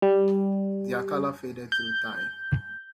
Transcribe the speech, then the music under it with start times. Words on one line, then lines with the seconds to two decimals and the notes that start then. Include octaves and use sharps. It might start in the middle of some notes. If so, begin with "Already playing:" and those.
Their color faded through time.
0.02 G3
1.72 G6